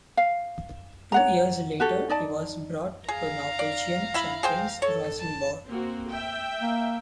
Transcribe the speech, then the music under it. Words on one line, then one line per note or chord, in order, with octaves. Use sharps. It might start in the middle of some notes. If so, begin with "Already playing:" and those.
Two years later he was brought to Norwegian champions Rosenborg.
F5
C#5 F#5 A#5
F#4 G4 A4
D#4 D5 A5
G#4 F5 A#5
D5
E4 E5 B5
G#4 C5 G5
A4 C#5
A5
A#3 C4 F#4
E5 G5
A#3